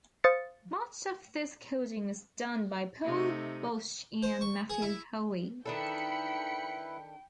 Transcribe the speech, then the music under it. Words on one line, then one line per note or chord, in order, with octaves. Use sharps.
Much of this coding was done by Paul Bausch and Matthew Haughey.
C5 F5 D#6 A6 C#7
C3 A3 D#4
C5
C#6
G#4
E4
D#3 D4 E4 A4 B4 G5 B5 C#7